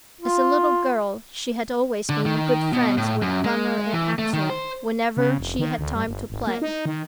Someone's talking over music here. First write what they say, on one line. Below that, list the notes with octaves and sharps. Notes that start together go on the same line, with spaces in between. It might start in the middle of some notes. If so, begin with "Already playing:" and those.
As a little girl she had always been good friends with Gunner and Axel, whenever she had time to play.
F4
D3
D#3
B2
A2
F#2
G#3
E3
A3
D#3
C5
C#3
F1
D#3
D2
G2
G1
G#1
A#3
D#4
D#3